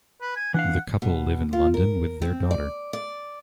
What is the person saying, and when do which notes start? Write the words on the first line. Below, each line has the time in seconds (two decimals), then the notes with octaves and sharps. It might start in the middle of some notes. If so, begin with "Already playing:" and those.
The couple live in London with their daughter.
0.21 B4
0.36 G#5
0.54 E3 D4 F5 F#5
1.02 B2
1.53 F4
1.74 A#4
2.22 C4
2.51 D5
2.93 D5